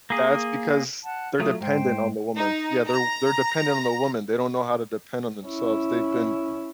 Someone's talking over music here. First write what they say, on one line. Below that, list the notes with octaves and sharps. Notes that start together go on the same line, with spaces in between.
That's because they're dependent on the woman. Yeah, they're they're dependent on the woman. They don't know how to depend on themselves. They've been
A#3 G#4
F#5 A5
F#3 A3 F4 D#6
G#2 C5 G5
D#4
A#5
C#4 E4